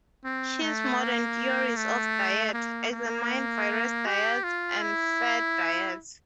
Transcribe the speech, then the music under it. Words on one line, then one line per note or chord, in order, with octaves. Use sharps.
His "Modern Theories of Diet" examined various diets and fad diets.
C4
A3
A#3
A3
A#3
A#3
G4
F4
E4